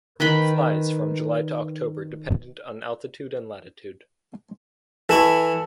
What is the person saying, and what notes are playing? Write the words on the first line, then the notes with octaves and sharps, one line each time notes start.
Flies from July to October dependent on altitude and latitude.
D#3 B4 G5 B5
E3 E4 A4 C#6